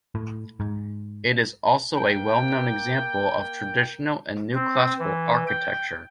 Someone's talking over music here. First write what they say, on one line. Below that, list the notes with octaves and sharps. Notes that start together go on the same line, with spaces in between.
It is also a well-known example of traditional and New Classical Architecture.
A2
G#2
A#3 G5
C4
E3
G5